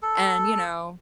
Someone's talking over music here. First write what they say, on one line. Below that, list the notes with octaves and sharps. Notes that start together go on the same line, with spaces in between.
And, you know,
A4